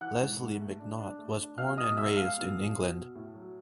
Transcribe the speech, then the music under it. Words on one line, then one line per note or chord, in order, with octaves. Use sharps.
Lesley McNaught was born and raised in England.
E3 F#5 F#6
G#2
G#2
A3
D4
D4
A3
D4
B2 F5 F6
B2 D#5 D#6
G#3 E5 E6
G#3 F5 F6
B2
E2
B2
B2
A2
F#3